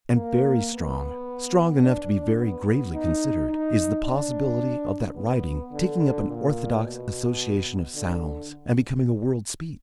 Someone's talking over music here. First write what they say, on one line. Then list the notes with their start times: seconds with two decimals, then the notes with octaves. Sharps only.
And very strong--strong enough to be very gravely considered--is the possibility of that writing taking up an orthodox association of sounds, and becoming a world speech.
0.16 A#3
0.71 B3
1.83 D4
2.38 B3
2.94 D#4
3.49 D#4
4.05 D4
5.15 B3
5.72 D3
6.27 A#2
6.83 B2
7.94 D3